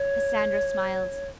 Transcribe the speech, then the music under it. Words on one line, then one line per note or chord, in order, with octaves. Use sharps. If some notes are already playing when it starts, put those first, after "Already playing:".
Cassandra smiled.
Already playing: C#5